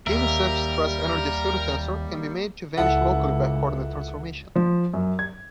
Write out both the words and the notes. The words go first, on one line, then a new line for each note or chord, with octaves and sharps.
Any such stress-energy pseudotensor can be made to vanish locally by a coordinate transformation.
D#2 G3 A#3 A#4 E5
C#2 E4 A4 F#5
F3
F#2
G#6